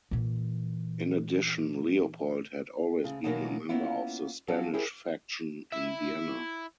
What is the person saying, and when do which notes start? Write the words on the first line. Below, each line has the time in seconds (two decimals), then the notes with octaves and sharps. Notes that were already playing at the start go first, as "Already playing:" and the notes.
In addition, Leopold had always been a member of the "Spanish faction" in Vienna.
0.11 A#2 E3
3.04 D2 C#3
3.24 B2 D#3 E3 F#3 G#3 A#3
3.69 A#3 B3 C#4 E4 F4
4.48 F3 F#3 C#4 F#4 A4
4.73 E4 G4 G#4 A#4 C5
5.72 E4 E5